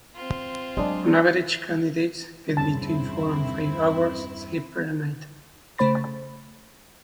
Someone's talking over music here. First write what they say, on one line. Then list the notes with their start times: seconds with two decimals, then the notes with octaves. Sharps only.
On average candidates get between four and five hours sleep per a night.
0.15 C4 F4
0.77 F#3 G#3 D4
2.57 E2 G2 C#3 C4 E4 A5
5.78 C#3 A3 C5 B5 A6